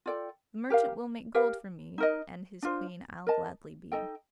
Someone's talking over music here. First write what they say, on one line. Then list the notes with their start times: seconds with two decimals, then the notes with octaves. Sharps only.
The merchant will make gold for me And his queen I'll gladly be.
0.06 F4 A4 D5 G5
0.70 G4 A#4 F5
1.34 G4 A#4 F5
1.98 D#4 A#4 D#5
2.62 D4 F4 C5
3.27 A#4 D#5 A5
3.92 D#4 A4 D#5 G5